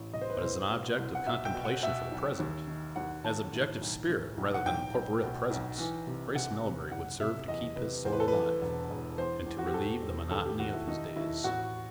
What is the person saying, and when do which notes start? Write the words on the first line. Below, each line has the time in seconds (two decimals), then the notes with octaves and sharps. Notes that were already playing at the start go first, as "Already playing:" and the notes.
But as an object of contemplation for the present, as objective spirit rather than corporeal presence, Grace Melbury would serve to keep his soul alive, and to relieve the monotony of his days.
Already playing: A1
0.13 C2 D#5
0.21 C5
0.30 B4
0.38 C2 C5
0.70 B2
0.98 C2
1.15 F#5
1.27 B2 E5
1.45 G5
1.55 B2
1.64 F#5
1.83 B2 E5
2.11 B1
2.40 D#2
2.68 D#3
2.96 D#2 F#5
3.24 D#2 A5
3.53 A2
3.81 B1
4.09 A2
4.37 B1
4.54 F#5
4.66 B1 G5
4.94 B1
5.23 B2
5.51 B1
5.78 E3
6.07 C3
6.35 C3 F#5
6.64 C3
6.92 F#1 F#5
7.20 C3 E5
7.48 E2 D#5
7.76 C3 B4
8.05 E2 C5
8.13 B4
8.20 A4
8.28 B4
8.33 E2
8.62 E1
8.90 E1
9.18 E2 C5
9.46 E2
9.59 F#4
9.67 G4
9.74 E1 A4
10.03 E1
10.31 D#2 A4
10.45 G4
10.59 D#2 F#4
10.73 E4
10.87 D#3 D#4
11.16 D#2 E4
11.44 A1 F#4